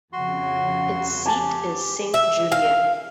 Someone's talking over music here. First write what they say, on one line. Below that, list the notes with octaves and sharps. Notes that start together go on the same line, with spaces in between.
Its seat is Sainte-Julienne.
F2 C#3 F#4 F#5 C6
G4 G#5 A5
E5
F5